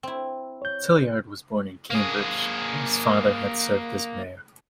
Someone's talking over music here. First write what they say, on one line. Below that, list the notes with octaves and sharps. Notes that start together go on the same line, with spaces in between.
Tillyard was born in Cambridge, where his father had served as mayor.
C4 E4
C#5 G6
A#3 G#4